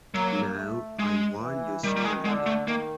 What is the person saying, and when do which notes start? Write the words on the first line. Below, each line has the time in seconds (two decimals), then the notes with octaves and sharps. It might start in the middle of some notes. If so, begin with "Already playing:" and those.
Now, I warn you solemnly.
0.15 F#3 A#3
0.57 A3
0.99 G#3
1.41 E3
1.83 D#3 G3
1.97 G3
2.04 G#3
2.25 D3 G#3
2.46 A3
2.67 D#3 A#3